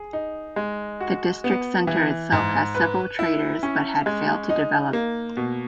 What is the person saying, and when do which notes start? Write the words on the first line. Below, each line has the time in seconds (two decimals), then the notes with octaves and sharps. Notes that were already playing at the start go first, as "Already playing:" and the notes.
The District Centre itself has several traders but had failed to develop.
Already playing: G#4
0.13 D#4
0.56 G#3
1.01 F#4
1.44 B3
1.87 E3
2.32 G#2
2.75 B4
3.19 E4
3.63 C#4
4.06 G#3
4.50 D#4
4.93 A#3
5.37 B2